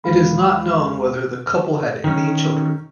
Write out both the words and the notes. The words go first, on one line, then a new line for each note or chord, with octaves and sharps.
It is not known whether the couple had any children.
E2 G#3 F5 B5
D#3 C#4